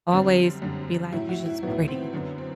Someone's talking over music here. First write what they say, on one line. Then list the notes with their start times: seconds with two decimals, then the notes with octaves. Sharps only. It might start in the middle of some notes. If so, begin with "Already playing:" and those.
always be like, "You're just pretty,
0.12 F#2 D3 G3 C4
0.62 F#2 D3 G3
1.12 A2 F#3 E4
1.29 F#4
1.46 E4
1.63 A2 F#3 B3
1.88 C4
2.13 F#2 D3 F#3 B3
2.38 C4